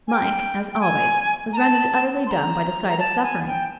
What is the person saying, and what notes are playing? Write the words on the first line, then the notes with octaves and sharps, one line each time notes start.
Mike, as always, was rendered utterly dumb by the sight of suffering.
G#5
G5
G5
G#5
A#5
A5
C6
A#5
A#5
A5
G#5
G5